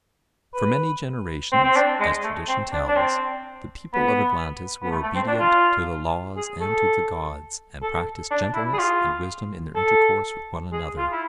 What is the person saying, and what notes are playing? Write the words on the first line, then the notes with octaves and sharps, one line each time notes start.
For many generations, as tradition tells, the people of Atlantis were obedient to the laws and to the gods, and practised gentleness and wisdom in their intercourse with one another.
B4
C4
C4
D4
G#3
A3
C4
D4
D4
C4
B3
B3
A3
A3
C4
D4
F4
G#4
A4
A4
D4
E4
G#4
F4
A4
G#4
F4
E4